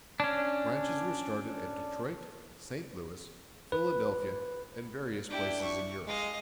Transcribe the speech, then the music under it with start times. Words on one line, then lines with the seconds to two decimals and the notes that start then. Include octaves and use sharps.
Branches were started at Detroit, St. Louis, Philadelphia, and various places in Europe.
0.20 C#4 D4
3.72 B4
5.30 D4 E4 G4
5.63 C#6
6.07 G#3 D#5 F5